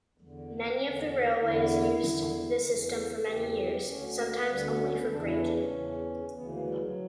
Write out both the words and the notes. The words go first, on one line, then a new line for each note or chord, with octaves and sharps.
Many of the railways used the system for many years, sometimes only for braking.
E2 D3
E2 D3
E2 D3 E4
E2 D3
E2 C#3 E3
E2 C#3 E3 G4
D2 D3 C#4
A#3
D2 D3 G3
B3
C#4
B3
E2 C#3 E3 D4
E4
D4
C#4
E2 C#3 E3
D2 C#3 E3 B3
A#3
G3
F#3